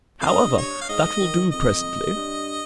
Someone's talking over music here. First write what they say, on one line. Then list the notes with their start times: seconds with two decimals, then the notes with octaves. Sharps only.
However, that'll do presently.
0.21 F2 F5
0.26 G2 D#5
0.58 C#5
0.81 F5
0.89 G#2 D#5
1.21 D#3
1.52 F2 D#5
2.16 G2